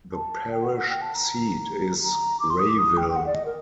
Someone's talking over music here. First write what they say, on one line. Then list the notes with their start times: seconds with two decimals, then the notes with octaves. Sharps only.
The parish seat is Rayville.
0.13 A5
0.51 G5
0.63 F#5
0.76 F#5
0.89 G5
1.01 A5
1.15 A#5
2.03 A#5
2.40 D6
2.50 C6
2.59 D#6
2.69 D6
2.78 D#6
2.97 G5
3.09 G5
3.16 F#5
3.26 D5
3.34 D#5
3.45 A#4